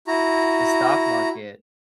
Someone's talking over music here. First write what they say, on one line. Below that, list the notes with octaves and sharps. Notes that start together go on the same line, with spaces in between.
the stock market
E4 F#4 A#5